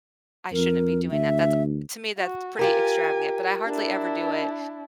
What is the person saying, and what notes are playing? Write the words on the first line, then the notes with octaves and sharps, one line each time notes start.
"I shouldn't be doing that," that's to me, that's pretty extravagant, but I hardly ever do it,
F2 A#4
D2 E5
F#4
F4 G4 A#4 G#5
D4 E4